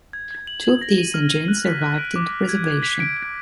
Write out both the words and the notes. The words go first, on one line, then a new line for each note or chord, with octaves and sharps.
Two of these engines survived into preservation.
G#6
G#6
F#7
F#7
A#6
D#7
F6
D#7
F#6
B6
F#6
D7
D6
D6
G#6
G#6
B6
D7
D7